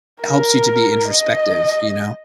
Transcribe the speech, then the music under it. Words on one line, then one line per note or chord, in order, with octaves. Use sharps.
helps you to be introspective, you know?
A#4
D#5